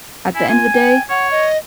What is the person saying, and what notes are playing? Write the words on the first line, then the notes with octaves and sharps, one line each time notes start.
at the end of the day,
E4 G#5
F4 G#5
G5
C#5 F#5
D#5